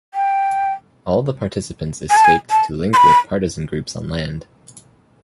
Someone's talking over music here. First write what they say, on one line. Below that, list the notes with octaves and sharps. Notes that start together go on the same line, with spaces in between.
All the participants escaped to link with partisan groups on land.
G5
G#5
A5
G#5
A5
C6
B5